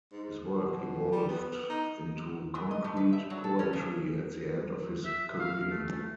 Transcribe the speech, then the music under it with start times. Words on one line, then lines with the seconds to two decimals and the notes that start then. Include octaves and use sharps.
His work evolved into concrete poetry at the end of his career.
0.12 G#2
0.45 B2
1.12 G3
1.28 B3
1.52 B3
1.70 D#4
2.55 E3
2.71 D#5
2.84 A3
2.97 B4
3.13 E5
3.30 F#3
3.44 A4
3.59 C#4
3.73 C#3
5.05 E5
5.39 F5
5.71 A3